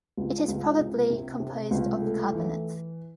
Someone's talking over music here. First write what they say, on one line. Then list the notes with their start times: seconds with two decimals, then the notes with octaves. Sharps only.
It is probably composed of carbonates.
0.17 C#2
0.48 C#2
0.79 C3
1.10 C3
1.40 C3
1.71 C#2
2.02 A3
2.32 E3